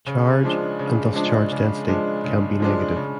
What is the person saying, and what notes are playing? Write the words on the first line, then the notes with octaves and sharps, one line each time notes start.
Charge, and thus charge density, can be negative.
C#3
F3 G#3 D4
C#3
F3 G#3 D4
C#3
F3 G#3 D4
C#3
F3 G#3 D4
C#3